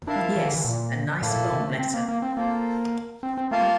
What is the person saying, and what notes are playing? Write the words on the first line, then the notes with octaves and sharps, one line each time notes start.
Yes, a nice long letter.
D4 E4 A#4 F5 A5
G3
F3
E3
D3
E3
A#2
A2 A#3 E4 A4
A#2
C3
A3
C4
A#3
A#3
C4
A#3 F4 A4 C5
C4
C4
A3 A#3 F4 A#4 F5 A5
G3